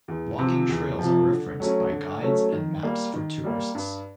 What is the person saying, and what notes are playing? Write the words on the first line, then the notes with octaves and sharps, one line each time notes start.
Walking trails are referenced by guides and maps for tourists.
E2
C3 F3
E2
C3 F3
D3
F#3 A3 C#4
D3
F#3 A3 C#4
D#3
G3 A#3
D#3
G3 A#3
G2